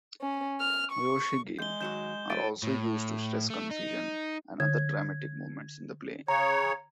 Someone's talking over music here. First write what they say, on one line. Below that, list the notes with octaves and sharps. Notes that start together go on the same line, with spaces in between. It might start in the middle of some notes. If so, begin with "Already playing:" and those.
Hyoshigi are also used to stress confusion and other dramatic moments in the play.
C#4
F6
C#6
E2 G#3 G6 G7
D#3 F#3 F#4 G6 E7
F#3 A3 A6 D7 D#7
A2
A3
D#4
D3 G#6
C#3 C#5 A#5